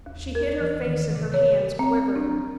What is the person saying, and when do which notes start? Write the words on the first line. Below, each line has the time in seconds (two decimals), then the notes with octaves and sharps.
She hid her face in her hands, quivering.
0.06 D#2
0.35 A#4
0.60 E3
0.84 D#3
1.15 C3
1.34 C#5
1.79 C4
2.16 D4